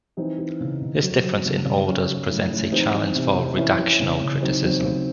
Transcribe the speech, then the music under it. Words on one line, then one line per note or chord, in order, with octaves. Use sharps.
This difference in orders presents a challenge for redactional criticism.
E3 C4 D#4
E3
C#3
C#3
F#3
F#3
C#3
C#3
F#3 C#4
F#3
A2
A2
E3 C4 D#4
E3
C3
C3
E3 C#4 E4
E3
C#3
C#3
F#3 C4 D#4
F#3 C4 D#4
C#3 C4